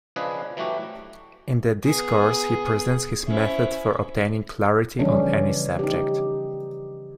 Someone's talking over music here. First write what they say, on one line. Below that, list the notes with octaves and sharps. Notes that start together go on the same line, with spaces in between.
In the "Discourse", he presents his method for obtaining clarity on any subject.
C#3 F3 G#3 D4 G#4 B4
E3 F#3 A3 F#4 G4
B3 G#4
C#4 E4 C5 E5
C#3 E3 F3 G3 C#4 D4
D#4 G4